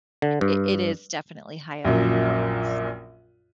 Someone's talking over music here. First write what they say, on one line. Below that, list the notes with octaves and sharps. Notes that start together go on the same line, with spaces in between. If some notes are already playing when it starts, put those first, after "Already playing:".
it it is definitely high up in importance.
D3
G2
A#1 F#2 A#2